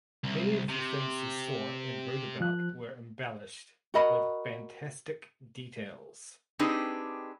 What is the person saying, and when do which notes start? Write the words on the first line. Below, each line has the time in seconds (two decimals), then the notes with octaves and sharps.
Many of the things he saw and wrote about were embellished with fantastic details.
0.24 C2
0.68 C3
2.41 F3 F#6
3.94 F#4 A#4 D#5 B5
6.59 C4 D4 D#4 G4 G#4 B4